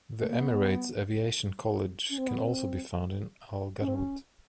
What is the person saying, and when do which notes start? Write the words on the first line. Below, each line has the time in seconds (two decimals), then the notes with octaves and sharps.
The Emirates Aviation College can also be found in Al Garhoud.
0.21 A3
0.29 A#3
0.38 B3
2.10 C#4
2.18 C4
2.28 B3
2.37 C4
3.81 C#4
3.88 C4
3.95 C#4